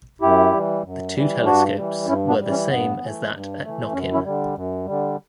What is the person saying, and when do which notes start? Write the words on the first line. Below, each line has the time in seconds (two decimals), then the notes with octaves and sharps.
The two telescopes were the same as that at Knockin.
0.22 F#2 E4 G4
0.52 E3 G3
0.84 F#2
1.15 E3 G3
1.45 G2 D4 F#4
1.76 E3 G3
2.07 G2 C#4 E4
2.28 B3 D4
2.38 E3 G3
2.49 C#4
2.69 G2 B3
3.00 E3 A3
3.31 G2
3.62 E3 A3
3.93 F#2 C#4
4.13 C#4 E4
4.24 D3 G3
4.55 F#2
4.86 D3 G3